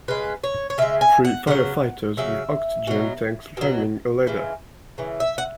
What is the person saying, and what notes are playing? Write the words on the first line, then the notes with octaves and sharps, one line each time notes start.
Three firefighters with oxygen tanks climbing a ladder.
C#3 G#3 B4
C#5
C#5
C#3 G#3 E5
G#5
F#5
C#3 F#3 F#5
C#3 F#3 E5
B2 F#3
B2 F#3
C#3 E3 G#3
C#3 E3
E5
F#5